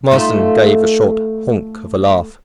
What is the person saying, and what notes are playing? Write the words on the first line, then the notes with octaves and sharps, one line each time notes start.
Marsden gave a short honk of a laugh.
A3 D#4 F4